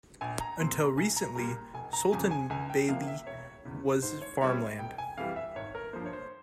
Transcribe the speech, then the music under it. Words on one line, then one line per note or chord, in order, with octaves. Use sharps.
Until recently Sultanbeyli was farmland.
A#1 G#5
A#5
A#2 F3 C4 C6
A#5
C2 G#5
A#5
A#2 G3 A#5
F1 G#5
A#5
F2 C#3 F3 G#5
G#5
C#2 G#5
G5
C3 F3 A#3 E4 F5
E5
E1 C#5
E2 C#3
G#2 C5
C#5
G3 C4 E4 C#5
F1 G5
G#5
F2 E3 G3 F5
E5
G#1 C#5
A#4
G2 F3 A#3 C5
C#5
C5